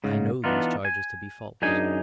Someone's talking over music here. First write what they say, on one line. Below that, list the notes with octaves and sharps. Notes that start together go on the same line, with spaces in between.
I know these charges to be false.
G#2 C#3
E3 B3 D4 D#4 F4
G#5
F#2 D4 D#4 G#4 G#5